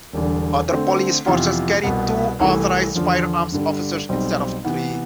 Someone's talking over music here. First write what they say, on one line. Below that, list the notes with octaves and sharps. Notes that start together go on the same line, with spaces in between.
Other police forces carry two Authorised Firearms Officers instead of three.
E1 E2 D3 G3
D3 A3 C4
F2 C3 E3 B3 F4
C2 B2 B3
C2 C3 E3 A3
E2 D3 F3
G2 D3 G3
B1 B2 G3 C4
C3 E3 B3